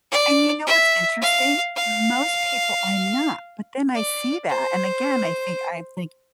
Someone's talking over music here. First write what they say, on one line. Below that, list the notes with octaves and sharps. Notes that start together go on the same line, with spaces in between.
And you know what's interesting? Most people I'm not, but then I see that, and, again, I think I think,
D5
E5
F5
F5
D5
C5